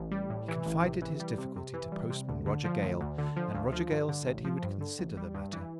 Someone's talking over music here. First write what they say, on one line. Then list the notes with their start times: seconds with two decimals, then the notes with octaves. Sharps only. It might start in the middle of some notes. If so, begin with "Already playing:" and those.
He confided his difficulty to postman Roger Gale, and Roger Gale said he would consider the matter.
Already playing: A1
0.11 G3
0.30 A2
0.48 E3
0.66 A1
0.84 C3
1.02 E3
1.20 G3
1.38 C3
1.56 C3
1.74 E3
1.92 G3
2.10 C3
2.28 D2
2.46 D3
2.64 F3
2.82 D2
3.01 D2
3.18 D3
3.36 F3
3.54 D2
3.72 F3
3.91 G2
4.09 D3
4.27 A1
4.45 F3
4.63 G2
4.81 D3
4.99 A1
5.17 G3
5.34 G2
5.53 E3